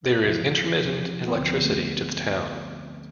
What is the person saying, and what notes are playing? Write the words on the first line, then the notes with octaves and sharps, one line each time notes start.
There is intermittent electricity to the town.
E2 C3 F3 E4
E2 C3 F3
B3
D2 D3 F3 C4
B3
A3